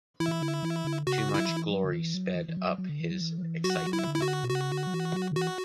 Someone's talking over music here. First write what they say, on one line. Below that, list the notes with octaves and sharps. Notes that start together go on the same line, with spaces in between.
Too much glory sped up his excitement.
E3 E4
D3
E3
D3
C#3 F#4
D3
F#3 E4
E3
F#3
D3
E3
F#3
E3
E3
F#3
F#3
D3
E3
F#3
E3
F#3
E3
F#3 F#4
E3
F#3
E4
D3
E4
F#4
B2
C#3 F#4
D3
F#3
E3
F#3
D3
E3 F#4